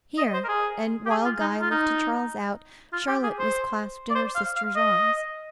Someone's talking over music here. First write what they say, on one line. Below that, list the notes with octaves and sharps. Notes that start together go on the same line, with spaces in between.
'Here!' and while Guy lifted Charles out, Charlotte was clasped in her sister's arms.
D#5
C5
A#4
G#4
G4
G#4
F4
D#4
F4
D#4
F4
G4
G#4
C5
D5
C5
F5
F5
D#5